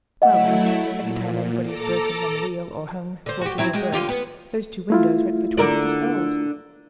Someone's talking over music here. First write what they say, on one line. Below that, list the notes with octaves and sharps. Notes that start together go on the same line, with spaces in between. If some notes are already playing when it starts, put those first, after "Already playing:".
"Well, then, every time anybody is broken on the wheel or hung, quartered, or burnt, these two windows let for twenty pistoles."
F#3 A3 E4 D#5 F#5
A#2
A4 A#5 D6
D3 C5
F#4 G4
F#3 C4 E4
G#3 F#4 G4
D3 F4 G4
B3
A3 E4 F4
D3 A#4 D5